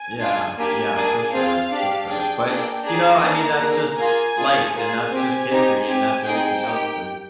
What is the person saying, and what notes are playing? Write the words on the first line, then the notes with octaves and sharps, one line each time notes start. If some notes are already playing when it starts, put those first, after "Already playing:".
Yeah, yeah, for sure, for sure, but, you know, I mean, that's just life, and that's just history, and that's everything else, and,
Already playing: G#5
D4 F4 G#4
A#3 D4 G4 G#5
A#3 D4 G#4
C4 F4 G#4 F5
D4 G4
D4 G#4 G5
A#3 D4 G#4 G5
D4 G#4 A#5
A#3 D4 G#4
A#3 D4 G#4
A#3 F4 G#4 G#5
D4 F4 G#4
A#3 F4 G#4 G#5
C4 G4
C4 D#4 G4
C4 G4 G#5
C4 D#4 G#4 G5
A#3 D#4 G4